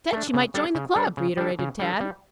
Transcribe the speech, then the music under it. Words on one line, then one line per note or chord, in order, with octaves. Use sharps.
"I said she might join the club," reiterated Tad.
A3 D4
C#3
G3 D4 A4
C#3
G3 D4 A4
C#3
G3 D4 A4
C#3
G3 D4 A4
G3